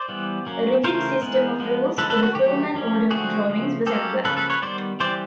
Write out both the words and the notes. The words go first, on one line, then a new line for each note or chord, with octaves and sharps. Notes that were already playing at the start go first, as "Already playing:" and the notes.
A rigid system of rules for the form and order of drawings was applied.
Already playing: C5 D5
E3 G3 B3
F#3 A#3 C#4
C#3 E3 A3 C#4 A#4 C5
E3 G#3 B3
F3 G#3 B3
D3 F3 G#3 C#4 A4 B4
A4 B4
F#4
D#3 F#3 A3 G4
F3 A#3 C#4
D3 F3 A3 C4 F#4 G#4
C#3 F3 A3
F#3 A#3 C#4 G4 A4
C#3 F3 A#3 C#4 A4 B4
A4 B4
B4 C#5
D#3 G3 B3 C5 D5
E3 G3 C4 C5 D5